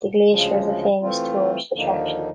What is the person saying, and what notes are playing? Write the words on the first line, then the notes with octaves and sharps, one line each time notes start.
The glacier is a famous tourist attraction.
D2 C#3 F3 G#3
E3 A3 C4 F4
D#2 D3 F3 A#3 D#4